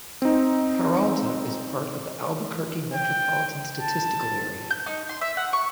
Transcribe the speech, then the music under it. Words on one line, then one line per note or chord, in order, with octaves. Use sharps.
Peralta is part of the Albuquerque Metropolitan Statistical Area.
C4 D#4
G5
A5
G6
D#4
C6
E5
F#5
C#6